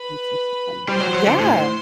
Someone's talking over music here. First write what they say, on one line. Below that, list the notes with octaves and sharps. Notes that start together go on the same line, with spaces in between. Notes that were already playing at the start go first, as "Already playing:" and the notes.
These are so fun. Yeah.
Already playing: B4 B5
G3 C5 C6
F#3
F#3
D3
A2 C5 C6